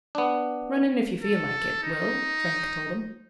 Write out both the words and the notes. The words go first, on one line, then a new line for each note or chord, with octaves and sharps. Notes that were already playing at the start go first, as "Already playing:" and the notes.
"Run in, if you feel like it, Will," Frank told him.
B3 D4
A4
D#4